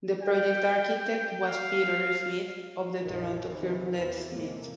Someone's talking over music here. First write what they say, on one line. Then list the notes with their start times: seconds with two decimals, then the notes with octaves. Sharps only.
The project architect was Peter Smith, of the Toronto firm Lett-Smith.
0.23 G5
1.47 F5
3.01 A#1 F#2 A#2 D#3 E3
3.46 C3 D#3 E3
3.92 E2 C3 E3
4.32 A2 C3 G#3 A#3